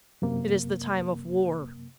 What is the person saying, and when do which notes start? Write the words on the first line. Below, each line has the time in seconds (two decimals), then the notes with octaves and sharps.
It is the time of war.
0.22 F#2 C3 A#3